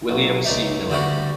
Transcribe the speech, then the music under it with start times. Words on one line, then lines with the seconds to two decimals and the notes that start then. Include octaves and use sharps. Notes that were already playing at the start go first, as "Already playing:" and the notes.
William C. Miller.
0.09 B1
0.44 C#2 D4 D#4 E5
0.90 D3 G3 A3 F#4